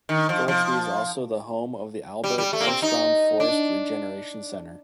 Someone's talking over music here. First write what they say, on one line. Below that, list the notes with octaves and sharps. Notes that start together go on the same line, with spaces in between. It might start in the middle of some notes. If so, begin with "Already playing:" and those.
Goldsby is also the home of the Albert Engstrom Forest Regeneration Center.
D#3
F3
F3
G3
G3
A3
A#3
C4
D#4
D4